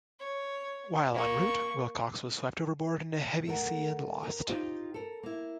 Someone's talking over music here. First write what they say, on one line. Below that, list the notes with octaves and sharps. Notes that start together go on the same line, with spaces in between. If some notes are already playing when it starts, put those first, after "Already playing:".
While en route, Wilcox was swept overboard in a heavy sea and lost.
C#5
A#3 C#6
A3 A4 A#4 F#5
A#4
D#4 F4 G4 C5 G5
A4 A#4
A#3 E4